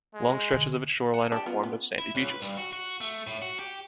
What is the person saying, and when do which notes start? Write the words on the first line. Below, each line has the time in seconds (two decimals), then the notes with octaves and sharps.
Long stretches of its shoreline are formed of sandy beaches.
0.15 G#3
0.52 B2 D3
1.14 F#5 A5
1.32 D4 G4 A5
1.46 B3 C#4 F4 A#4
1.64 B3
1.98 E4
2.15 C#2
2.30 B4
2.42 G2
2.57 F#4
2.73 F#4
3.01 A3
3.27 A2
3.42 F#4
3.59 G4